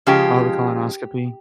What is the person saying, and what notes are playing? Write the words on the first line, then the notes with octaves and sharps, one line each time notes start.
Oh, the colonoscopy.
C#3 F3 G#3 G4